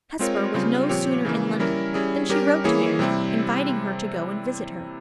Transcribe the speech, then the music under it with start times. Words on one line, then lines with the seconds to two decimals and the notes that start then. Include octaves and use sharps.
Hesper was no sooner in London, than she wrote to Mary, inviting her to go and visit her.
0.19 G#3 C4 F4 A#4 C#5
0.54 C#3 G3 C4 F4
0.89 A#2 F3 C4 G4 C#5
1.25 C#3 E3 A#3
1.60 G3 C#4 E4 A#4
1.94 G3 C#4 E4 G#4
2.29 G3 C#4 G4 A#4
2.64 E3 A#3 E4 G#4 C#5
2.99 C3 G3 C4 E4